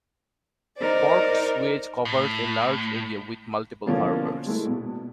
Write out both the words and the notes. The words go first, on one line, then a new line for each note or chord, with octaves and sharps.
Port Suez covers a larger area with multiple harbours.
D#4 A#4 C5 D5
A2
B2 D3 E3 F3 A#3 C#4
G#3 A3 E4
A#1 B2